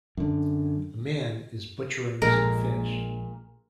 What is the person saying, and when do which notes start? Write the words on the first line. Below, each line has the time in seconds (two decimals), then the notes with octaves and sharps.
A man is butchering some fish.
0.17 F#2 D3
2.22 A#1 A#2 G#3 A#4